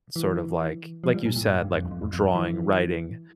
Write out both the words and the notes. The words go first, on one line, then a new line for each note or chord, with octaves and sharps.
sort of like like you said, like w drawing, writing,
E3
F3
G3
A#2
A2
G2
G2
F2
F2
E2
F2
G2
E3